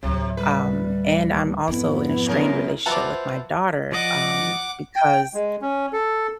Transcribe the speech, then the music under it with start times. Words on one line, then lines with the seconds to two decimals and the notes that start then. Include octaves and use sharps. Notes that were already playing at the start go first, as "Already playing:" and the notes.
Um, and I'm also in a strained relationship with my daughter, um, because
0.03 A1 D2 C3 F#3
0.37 G3 B4
1.68 F2 G#2 B3 E4
2.25 F#2 C3 A#4
2.86 E3 F4 F#4 C5 A5 D6
3.92 F3 D5 D#5 F#5 D6
4.96 G5
5.34 G#3
5.62 C#4
5.93 A4